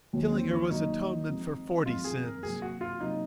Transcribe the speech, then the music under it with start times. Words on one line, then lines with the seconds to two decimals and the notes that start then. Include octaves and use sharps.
Killing her was atonement for forty sins.
0.13 D#2 D#3 F#3
0.32 C4
0.51 C#4
0.70 D#2 D#3 F#3 D#4
1.28 F3 G#3 C4
1.85 F3 G#3 C4 F4
2.04 G#4
2.24 A#4
2.42 C3 F#3 A#3 G#4
2.62 F#4
2.81 F4
3.00 C3 F#3 A#3 D#4